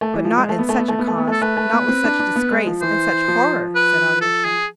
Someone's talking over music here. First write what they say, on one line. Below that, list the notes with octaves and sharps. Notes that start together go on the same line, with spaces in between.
"But not in such a cause, not with such disgrace and such horror!" said Alyosha.
A3
E3
F3
G#3
A3
B3
A3
B3
A3
B3
A3
B3
A3 A4
A3 B4
A3
B3
C4
D4
D4
B3
G#3
F3
E3 C5
F3
B4
A4
G#4